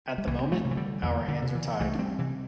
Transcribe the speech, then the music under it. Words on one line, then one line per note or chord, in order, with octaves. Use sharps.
At the moment, our hands are tied.
G3
C2 E3
C4
E3 A3
C3
E3
D3 G3
E2 E3
D3
C3
E3
C2 E3 A3
D4
G3 C4
C3 E3